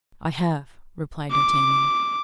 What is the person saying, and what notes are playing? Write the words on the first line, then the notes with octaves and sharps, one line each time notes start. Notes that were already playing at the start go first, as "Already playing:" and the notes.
"I have," replied D'Artagnan.
D6